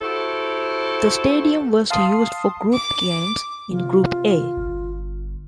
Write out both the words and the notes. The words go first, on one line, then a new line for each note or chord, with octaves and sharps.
The stadium was used for group games in Group A.
E4 F#4 G4 A4 C5
F5 A5 C6 D#6 C7
D6
C3 F4
G1